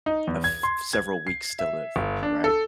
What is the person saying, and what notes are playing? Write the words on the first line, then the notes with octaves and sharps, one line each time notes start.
a th several weeks still live, right?
D#4
E2
G#6
C6
G#6
C7
E5
G1
D4
A4